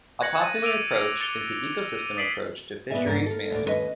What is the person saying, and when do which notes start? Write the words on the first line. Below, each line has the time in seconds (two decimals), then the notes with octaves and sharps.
A popular approach is the ecosystem approach to fisheries management.
0.21 F#6 G#6 A#6 C#7 F#7
0.41 A6 D#7
0.62 D6 E6 D7 D#7 F7
1.20 D6 A6 C#7 D#7 F7 G7
1.95 D#7
2.17 D#6 A6 B6 C7 D7 F#7
2.90 A#2 B3 B4 D5 E5 G#5
3.06 E2 G#2 C#3 C#4 D4 A#4
3.26 A4 A#4
3.51 D2 A2 A#3 D5
3.64 D#2 C#4 D4 B4 D#5